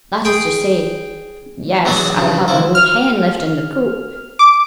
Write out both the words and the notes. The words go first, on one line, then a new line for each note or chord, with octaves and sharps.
That is to say--yes--I have an old hen left in the coop.
G#4 G5
E2 F#3 B3 D4 F#4 D5
G2 C#3
C#2 F3 E4
F6
D6